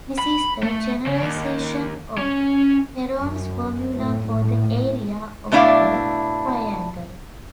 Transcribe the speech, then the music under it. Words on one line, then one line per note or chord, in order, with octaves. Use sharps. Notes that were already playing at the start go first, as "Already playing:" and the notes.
This is a generalization of Heron's formula for the area of a triangle.
B5
A3
C#3
D#2
C#4
F#2
A2
A2
B2 A3 D4 E4 D5 F5